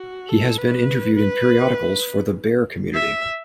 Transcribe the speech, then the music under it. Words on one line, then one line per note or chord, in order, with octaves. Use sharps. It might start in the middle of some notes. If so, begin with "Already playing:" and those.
He has been interviewed in periodicals for the "Bear" community.
Already playing: F#4
A4
B4
B4
E5